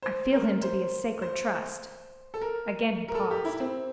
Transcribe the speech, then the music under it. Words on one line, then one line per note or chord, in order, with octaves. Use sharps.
"I feel him to be a sacred trust." Again he paused.
C5
A#4
C5
C5
A4
A#4
A#4
A4
G4
E4
C4